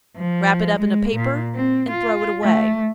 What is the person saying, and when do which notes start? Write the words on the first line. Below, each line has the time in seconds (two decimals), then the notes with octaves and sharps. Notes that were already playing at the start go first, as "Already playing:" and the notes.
Wrap it up in a paper, and throw it away.
0.16 F3
0.77 G#3
1.16 A#2
1.55 C4
1.91 F4
2.43 A3